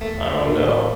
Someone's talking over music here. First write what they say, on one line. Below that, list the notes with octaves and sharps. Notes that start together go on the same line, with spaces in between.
I don't know,
E2 A3
A2 C3 A#3